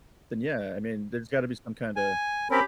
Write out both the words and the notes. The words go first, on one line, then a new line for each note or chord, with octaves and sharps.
Then, yeah, I mean, there's gotta be some kinda
G#5
C4 C#4 G4 A#4 B5